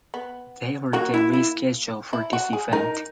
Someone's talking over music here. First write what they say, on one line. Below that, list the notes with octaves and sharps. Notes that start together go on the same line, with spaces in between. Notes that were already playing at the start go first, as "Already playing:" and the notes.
They were then rescheduled for this event.
B3
A#3 F#4
E4
E4
E4
F#4
G#4
D#4 A#4